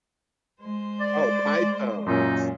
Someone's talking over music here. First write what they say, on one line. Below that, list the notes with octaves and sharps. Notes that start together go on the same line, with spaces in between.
Oh, pythons.
G#3 C5
D5
F#2 A#2 C#4 D#4